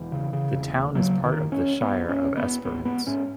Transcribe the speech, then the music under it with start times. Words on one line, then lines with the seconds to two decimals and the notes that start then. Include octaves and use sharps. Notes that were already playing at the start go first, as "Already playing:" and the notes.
The town is part of the Shire of Esperance.
Already playing: E1 E3
0.12 C#3
0.33 C#3
0.54 E1
0.75 D#2
0.95 C#3 F#3
1.17 E1
1.24 D#3
1.38 E1
1.52 C#4
1.59 E1
1.80 E1 B3
2.02 D#2
2.09 C#4
2.23 E1
2.37 B3
2.44 E1
2.64 A1 B3
2.85 G#2 B3
3.07 G#2 C#4